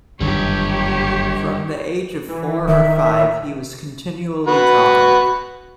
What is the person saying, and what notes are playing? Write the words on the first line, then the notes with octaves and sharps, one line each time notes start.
From the age of four or five he was continually drawing.
F#1 G2 D3 D#3 G3 G4 C#5
E3
D#3 E5
F#4 B4